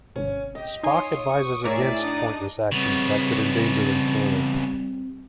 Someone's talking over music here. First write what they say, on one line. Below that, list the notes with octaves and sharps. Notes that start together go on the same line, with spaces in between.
Spock advises against pointless actions that could endanger them further.
G#1 C3 C#4
G4 D#5
D#4 F4 C#5 G#5 C6 D#6
C#6
A2 G#4 A#4 C#5 D5 E5 A#5 D6
D4 D#4 D#6
C#3 G3 B3 C4